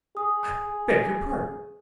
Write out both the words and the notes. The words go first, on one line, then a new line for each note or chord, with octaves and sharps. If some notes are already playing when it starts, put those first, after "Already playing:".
I beg your pardon.
G#4 D#6